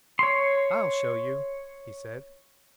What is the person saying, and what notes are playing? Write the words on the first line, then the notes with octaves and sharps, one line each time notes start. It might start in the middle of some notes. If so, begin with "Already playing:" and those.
"I'll show you," he said.
C#5 C6